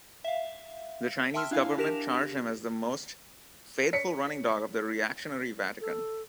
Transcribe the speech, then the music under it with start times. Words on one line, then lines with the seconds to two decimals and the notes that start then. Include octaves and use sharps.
The Chinese government charged him as the most faithful running-dog of the reactionary Vatican.
0.24 E5 F5
1.34 E5 G5 A5 C6 E6 F6
1.51 D4 E4 F5 G#5
1.78 D4 G4 A#4 A#6 E7 F7
3.93 C#5 B6 C#7
5.81 A4